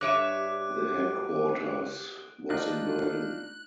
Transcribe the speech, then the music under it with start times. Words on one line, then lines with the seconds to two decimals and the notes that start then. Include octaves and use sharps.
The headquarters was in Berlin.
0.01 G2 G4 C#5 E5 D6 F#6 D7 D#7
2.50 D4 D#4 F4 F#6